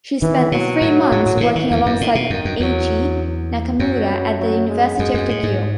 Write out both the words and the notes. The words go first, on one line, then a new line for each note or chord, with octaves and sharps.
She spent three months working alongside Eiichi Nakamura at the University of Tokyo.
D#3 E3
B2 F#3
A2
A2
A2
A2
B2 E3
D#3
E2
F#2
A2 D#3
B2
F#2 D#3
F#2
E2 F#3
F#2 F#3
F#3
G#3
F#2 G#3
F#2
A2
G#2